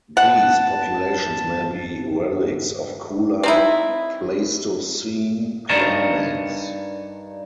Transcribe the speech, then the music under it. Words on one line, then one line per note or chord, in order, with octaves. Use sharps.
These populations may be relics of cooler Pleistocene climates.
F#5 A5
C4 D#4 E4
G2 D4 D#4 A#4 C#5 A5